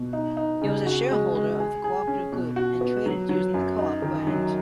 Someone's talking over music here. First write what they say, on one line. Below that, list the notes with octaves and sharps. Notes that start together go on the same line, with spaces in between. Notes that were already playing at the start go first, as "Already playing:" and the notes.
It was a shareholder of the Co-operative Group and traded using the "Co-op" brand.
Already playing: B2
D#4
D#4
C#3
F#4
G#3
G#3
G#4
G#4
C#4
B2
F#4
B3
F#3
F#3
F#2
D#4
D#3
F#3